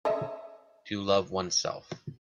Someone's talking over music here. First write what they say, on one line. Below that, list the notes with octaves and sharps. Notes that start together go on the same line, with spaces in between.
To love oneself.
C#5 D#5 E5